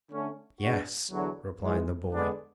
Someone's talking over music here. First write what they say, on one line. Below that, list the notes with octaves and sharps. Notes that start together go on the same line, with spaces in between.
"Yes," replied the boy.
D3 A3 C#4
B2 G#3 D4 F#4
E2 D3 F#3
G#2 E3 G#3
D3 G#3 B3 D4 G#4